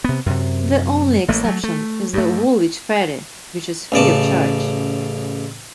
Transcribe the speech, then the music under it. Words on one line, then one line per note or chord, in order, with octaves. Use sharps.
The only exception is the Woolwich Ferry, which is free of charge.
C3 B3
F#2 C3
A1 A3 A#3
F#3 A3
A3
G2 A3
A1 C#3 D5 A5